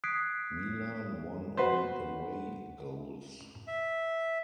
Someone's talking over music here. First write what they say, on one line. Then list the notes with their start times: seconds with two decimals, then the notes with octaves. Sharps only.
Milan won on away goals.
0.04 D#6 F#6 G#6 B6 C7 D7
1.57 F#4 B4 C5
3.67 E5